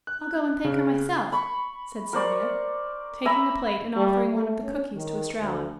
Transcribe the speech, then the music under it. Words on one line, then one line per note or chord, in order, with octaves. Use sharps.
"I'll go and thank her myself," said Sylvia, taking the plate, and offering one of the cookies to Estralla.
F#6
C#3
B5 C#6
A#4 C5 D5 C#6
E5 A#5 B5
G3
A3
C#4
D#3
D2